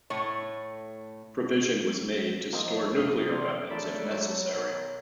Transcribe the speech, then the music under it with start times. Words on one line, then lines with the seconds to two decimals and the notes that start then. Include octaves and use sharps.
Provision was made to store nuclear weapons if necessary.
0.10 A2 A3 C#5
2.53 F3 A#3 C4 D#4
2.96 F2 C3 D#6 F6
3.29 D5 C6
3.69 C#3 A3 D4 A#4 A5 B5 D6
4.11 F#3
4.54 B1